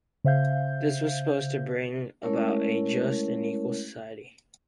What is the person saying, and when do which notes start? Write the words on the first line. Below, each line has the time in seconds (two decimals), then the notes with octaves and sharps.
This was supposed to bring about a just and equal society.
0.24 C#3 C5 E5 F5 G6
2.23 G#3 A3 C#4 E4 A#4 C#5